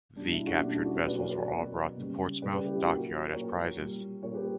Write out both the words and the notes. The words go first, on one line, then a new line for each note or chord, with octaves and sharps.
The captured vessels were all brought to Portsmouth Dockyard as prizes.
B2 G3 D4
E4
D4 F#4
B2 G3 D4
E4
D4 F#4
G4 B4
B2 F#3 B4 D5
A#4 C#5
B4 D5
A#4 C#5
B2 F#3
C#3 G3
C#3 G3 B4 D5
G4 B4
E4 G4
E4 G4
A#2 F#3 F#4 A#4
A#2 F#3 A#4 C#5
A#2 G3
A#2 G3 A#4 C#5
G4 B4